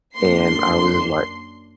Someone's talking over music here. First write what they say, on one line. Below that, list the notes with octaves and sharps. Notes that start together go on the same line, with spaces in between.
and, I was just like
F#2 A#3 D4 C6 C7